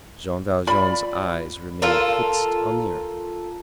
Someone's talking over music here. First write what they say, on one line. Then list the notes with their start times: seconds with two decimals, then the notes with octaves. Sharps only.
Jean Valjean's eyes remained fixed on the earth.
0.67 F4 D5 B5
1.82 F4 A4 A#4